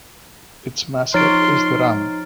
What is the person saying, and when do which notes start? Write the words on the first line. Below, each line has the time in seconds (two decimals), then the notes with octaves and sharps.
Its mascot is the ram.
1.14 F3 D#4 C#5 C6 F6 A6 D7